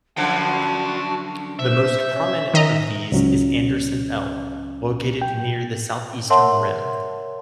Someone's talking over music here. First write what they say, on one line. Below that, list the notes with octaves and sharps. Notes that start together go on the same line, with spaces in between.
The most prominent of these is Anderson L, located near the southeastern rim.
F#2 D3 F3 F#5 G5 A5
F#4
C5 E5
C#4
D#3 D#5 A#5
C#2 F#3 C#4
G5
A#4 C#5 E5 F#5 A5 C6